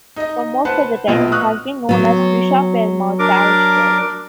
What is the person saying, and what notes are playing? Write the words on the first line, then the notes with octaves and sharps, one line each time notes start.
For most of that time, it has been known as 'Bishopwearmouth Parish Church'.
D#4 D#5
B4 C5 F#5 A5
A#1 B2 B3 F4 D#5
C#6 D#6 F6 F#6
F#3 B3
D4 A#4 D6